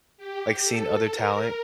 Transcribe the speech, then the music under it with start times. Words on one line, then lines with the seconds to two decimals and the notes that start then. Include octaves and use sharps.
like, seeing other talent,
0.17 G4
0.64 A4
1.11 A#4